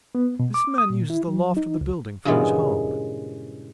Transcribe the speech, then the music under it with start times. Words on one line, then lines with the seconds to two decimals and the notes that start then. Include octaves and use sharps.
This man uses the loft of the building for his home.
0.15 B3
0.40 B2
0.54 D6
0.78 D#6
0.90 A#2
1.10 E4
1.28 F#3
1.57 D#4
1.81 C#2
2.25 G2 A#2 C#3 E3 G#3 B3